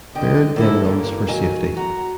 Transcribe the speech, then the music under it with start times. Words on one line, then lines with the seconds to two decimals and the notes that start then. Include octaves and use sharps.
Baird then runs for safety.
0.15 D3 D#5 G5
0.56 E2 A2 A#3 E4 A4
0.85 D3 E3 A#3
1.28 D#3 F#3 G#5
1.77 F#4 A#5